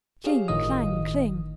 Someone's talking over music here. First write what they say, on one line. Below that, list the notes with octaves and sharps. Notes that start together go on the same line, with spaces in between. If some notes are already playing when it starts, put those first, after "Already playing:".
Cling, clang, cling!
G4 G#4 C#5 F5
G1 A2 D#3 D#5 D#6